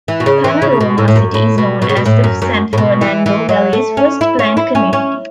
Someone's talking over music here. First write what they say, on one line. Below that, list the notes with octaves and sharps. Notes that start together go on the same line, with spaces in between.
Panorama City is known as the San Fernando Valley's first planned community.
E3
B2
C#3
E3
C#3
B2
A2
A2
F#2
A2
B2
B2
C#3
B2
A2
F#2
F#2
A2
B2
E3
E3
F#3
A3
C#4
E4
C#4
E4
C#4
C#4